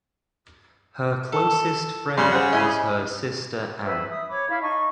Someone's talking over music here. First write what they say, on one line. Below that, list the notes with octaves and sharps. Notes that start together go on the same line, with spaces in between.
Her closest friend was her sister Anne.
A4
C#3 G3 C6
G#4 C5 F#5
E4 D#5 G#5 B5
B4 C5 E5
E5 D#6
C#5 B5 D6
E4 F5 B5
D#4 D#5 A5 C#6